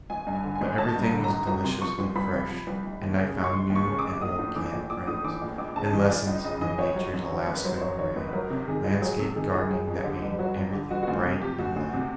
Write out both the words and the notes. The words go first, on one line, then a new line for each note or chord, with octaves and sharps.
But everything was deliciously fresh, and I found new and old plant friends, and lessons on Nature's Alaska moraine landscape-gardening that made everything bright and light.
G#1 G#5
G2
G#5
D3
G#5
G#1
G#1 A5
G2
A#5
D3
A#5
G#1
C2 A#5
C3 C6
F3 C#6
C2 C6
C2 B5
C3
F3
C2
F1
D#2
C#3
F1
C#6
F1 C6
D#2
C#6
C#3
D6
F1
A#1 D#6
A2
E3 D6
A#1
A#1 D6
A2 D#6
E3 D6
A#1
C#2 D6
C#3 A5
E3 D#5
C#2 D5
C#2 D#5
C#3 D#5
E3 D#5
C#2 C#5
F#3
F#2
D#3
G#1
B4
F#3 C5
C5
F#2 C#5
D#3 C#5
G#1 B4
B4
F#3 A#4
C3
D#3 G#4
C#2
F#3 G#4
C3 A4
D#3 G#4
C#2 G#4
F#3 G#4
F2
D3 G4
G1
F#3 F#4
F2 F4
D3 G4
G1 F#4
F#4
D2 F4
C3
F3 G4
D2 F#4
D2
C3